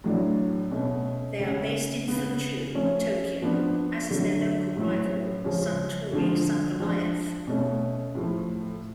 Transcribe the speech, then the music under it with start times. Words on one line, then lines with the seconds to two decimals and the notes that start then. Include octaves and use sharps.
They are based in Fuchu, Tokyo, as is their local rival Suntory Sungoliath.
0.04 A2 F#3 A3 D4
0.72 B2 A3 C#4
1.39 C#3 G#3 C#4
2.08 C#3 G#3 B3
2.75 F3 A3 C#4
3.42 F3 B3 D4
4.10 D3 F#3 A3
4.77 A2 F#3 C#4
5.44 C#3 F3 G#3 C#4
6.13 D3 F3 G#3
6.80 F3 G#3 D4
7.47 B2 A3 C#4
8.15 A2 F3 A3